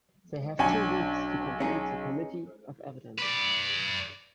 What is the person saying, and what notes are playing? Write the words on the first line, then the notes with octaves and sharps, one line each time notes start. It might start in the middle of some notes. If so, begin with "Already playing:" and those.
They have two weeks to complete the Committee of Evidence.
B1 C#4 D4 G#5
C#4 D#4 G#4
B4 D5